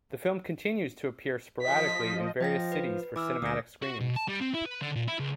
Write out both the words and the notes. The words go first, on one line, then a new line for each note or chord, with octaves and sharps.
The film continues to appear sporadically in various cities for cinematic screenings.
F3 D#5 B6
F3 D#5 G5 A#6
B4
E3 D6 E6 F6
D2 D#6 A#6
F#4
B2
A5
G3
C4
E4
B4
D3
A#2
E4
C#2